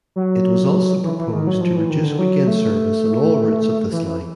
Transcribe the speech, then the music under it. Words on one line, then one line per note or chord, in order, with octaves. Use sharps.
It was also proposed to reduce weekend service on all routes of this line.
F#3
E3
E3
D#3
F#3
F3
E3
D#3
D3
F#3
A3
E3
E3